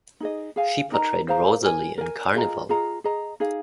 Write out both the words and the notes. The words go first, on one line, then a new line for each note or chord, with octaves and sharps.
She portrayed Rosalie in Carnival!
D#4 G#4 D#5
G#4 F5 G#5
D#4 A#4 D#5 A#5
G#4 C5 F5 A#5
A#4 G#5
A#4 G#5
F4 G#4 D#5 A#5
F4 G#4 D#5 A#5
G#4 D#5 A#5
D#4 G#4 F5